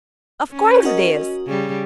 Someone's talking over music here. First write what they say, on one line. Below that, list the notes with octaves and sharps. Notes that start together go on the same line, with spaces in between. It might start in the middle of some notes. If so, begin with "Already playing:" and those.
'Of course it is.
C#4
F#4 A#4 D#5
C#3 G3